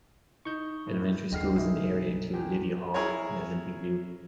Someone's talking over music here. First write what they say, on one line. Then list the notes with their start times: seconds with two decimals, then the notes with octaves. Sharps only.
Elementary schools in the area include Lydia Hawk and Olympic View.
0.45 D#4 C#6 G6
0.87 A2
1.32 D#2 D3 G#3 G5 F6 C7
1.56 B1 E3 D#4 E4
2.34 E2 G5
2.94 E4 G#4 A#4 C#5